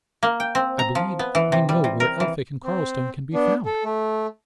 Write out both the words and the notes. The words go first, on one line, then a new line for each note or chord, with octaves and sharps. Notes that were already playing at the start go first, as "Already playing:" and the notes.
I believe I know where Elphick and Cardlestone can be found.
A#3
G5
C4
A#5
F3
B3
E3
C3
G3
C3
A#4
E3
C4
B3 D4
A4
A3